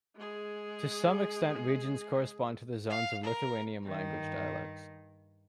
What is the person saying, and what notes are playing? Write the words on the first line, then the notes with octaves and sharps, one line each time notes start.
To some extent regions correspond to the zones of Lithuanian language dialects.
G#3 G#4
F5
A#4
G2 D#3